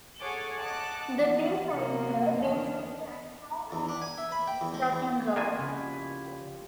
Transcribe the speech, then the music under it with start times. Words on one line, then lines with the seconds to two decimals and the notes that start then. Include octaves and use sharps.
The B-sides were "Betrayed" and "How I Learned to Hate Rock 'n' Roll".
0.20 G#4 A4 C#5 F#5 G#5 D6
0.58 D#5 F#5 A5 D6 F#6
1.17 E3 F3 F#5
1.70 C3 F#3 A#3
2.39 E2 D#3 D4
3.72 E2
3.89 D4
4.02 G#5
4.18 E5
4.32 B5
4.48 G5
4.61 E2
4.74 G#3
4.92 E2
5.36 A#3 C4 D4 E4 F#4 G#5
5.59 C#3 F3 C#4 G4